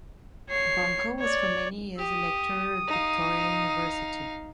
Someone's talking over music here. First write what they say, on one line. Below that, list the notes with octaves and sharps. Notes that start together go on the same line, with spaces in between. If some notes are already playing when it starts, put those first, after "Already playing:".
Bunkle was for many years a lecturer at Victoria University.
C#5 C7
C#5 D5
G4 D#6
D#4 F5